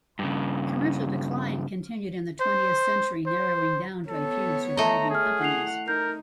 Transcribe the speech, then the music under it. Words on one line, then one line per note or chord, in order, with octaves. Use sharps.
Commercial decline continued in the twentieth century, narrowing down to a few surviving companies.
G2 C#3
C5
C5
B3 A4 C#5
A3 D#5 A5 A#5
G#4 C#5 F6
E4 F#5 C7 F7
D#4 A#4 G6